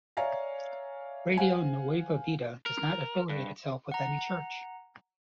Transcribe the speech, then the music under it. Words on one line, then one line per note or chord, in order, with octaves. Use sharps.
Radio Nueva Vida does not affiliate itself with any church.
C#5 D5 E5 F5 G#5 A#5
C5 F5 F#5 G#5
A#4
G2
F#5 A#5